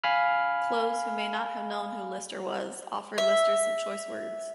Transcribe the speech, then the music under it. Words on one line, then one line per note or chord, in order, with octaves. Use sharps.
Close, who may not have known who Lister was, offered Lister some choice words.
F5 G#5 B5 F6
E5